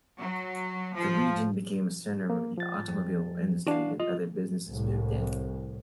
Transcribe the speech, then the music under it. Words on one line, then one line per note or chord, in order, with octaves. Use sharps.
The region became a centre of the automobile industry, and other businesses moved in.
F#3
F3
A#3
F3 A6
F2
E3 D4 F#4 F5
F4 D#5
C2 A2